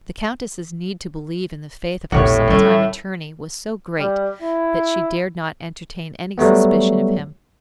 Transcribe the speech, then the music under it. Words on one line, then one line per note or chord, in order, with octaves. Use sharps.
The Countess's need to believe in the faith of her sometime attorney was so great, that she dared not entertain any suspicion of him.
E1 A#1 A2 F#4 G4 C#5
D3 G3 A3 C#4
G3
E4
F#3 G3 A3 B3